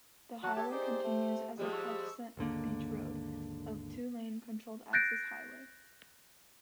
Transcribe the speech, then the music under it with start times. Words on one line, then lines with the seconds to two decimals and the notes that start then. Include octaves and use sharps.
The highway continues as Patuxent Beach Road, a two-lane controlled-access highway.
0.43 F#3 F#4 F#5 A5
0.57 G4 A4 C#5
0.71 D#4 G#4 C5 D5
1.03 A3
1.58 F3 G3 G#3 G4
1.73 C#6 E6
2.37 G#1 D#2 D3 A#3
4.93 F#6 G6 A6 A#6 C7 D7